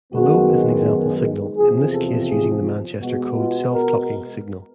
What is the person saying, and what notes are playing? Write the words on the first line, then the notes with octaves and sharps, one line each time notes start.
Below is an example signal, in this case using the Manchester code self-clocking signal.
F#2 D#3 G#3 B3 F#4
E2 C3 F3 G#4
A4
G#4
B2 G#3 B3 F#4
F4
A#4